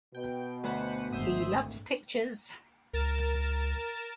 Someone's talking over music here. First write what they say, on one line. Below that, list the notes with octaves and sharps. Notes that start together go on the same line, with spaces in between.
He loves pictures!
B2 G5
D2 B4 C5 F#5
G#1 C5 E5 D#6
C#2 A#4 A6 E7